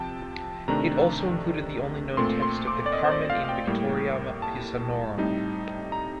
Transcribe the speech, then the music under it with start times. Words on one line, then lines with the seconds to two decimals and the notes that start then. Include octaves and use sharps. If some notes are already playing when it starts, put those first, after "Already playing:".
It also included the only known text of the "Carmen in victoriam Pisanorum".
Already playing: C3 F3 C4 G5 A5
0.68 C3 D#3 A3 D4 A#5
2.17 A#2 A3 C4 C6
2.42 C6
2.67 D6
2.86 D5
2.93 D#5
3.04 C5
3.11 D5
3.30 F5
3.45 F5
3.49 G5
3.67 A2 G3 A#3
4.42 A5
5.17 A2 G3 C4 D#4
5.92 A#5